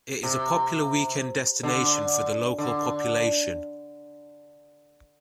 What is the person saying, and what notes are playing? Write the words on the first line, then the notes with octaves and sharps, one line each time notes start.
It is a popular weekend destination for the local population.
C3
D3
D3